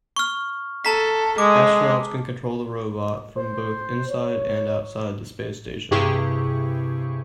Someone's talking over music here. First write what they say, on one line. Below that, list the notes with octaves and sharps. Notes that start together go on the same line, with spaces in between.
Astronauts can control the robot from both inside and outside the space station.
C#6 F6
A4 A5 A#5 B6
G#3 D6
C5
C#5
G2 C3 E4 G4 G#4 C#6